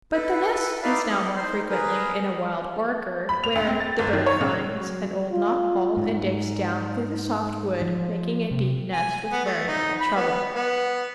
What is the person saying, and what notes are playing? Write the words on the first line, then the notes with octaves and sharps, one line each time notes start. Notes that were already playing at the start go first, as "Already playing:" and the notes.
But the nest is now more frequently in a wild orchard, where the bird finds an old knot-hole and digs down through the soft wood, making a deep nest with very little trouble.
E4 A4 B4
D#4 E4 B4 D5 E5 F5
F#3 A4 D#5
D#4 C5 C6
G#4 A#4 B4
B5
F7
D2
C4
A6
G1
D#3
C#5
C#3
F#3
F4
G#2
F3
C3
G#5
B3
A3
D#4
B5
B3
B3